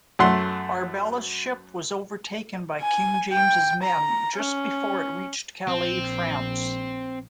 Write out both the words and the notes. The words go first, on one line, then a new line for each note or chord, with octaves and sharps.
Arbella's ship was overtaken by King James's men just before it reached Calais, France.
F#2 A3 F#5 C6
G#5
G5
A#5
C#4
A#1 C4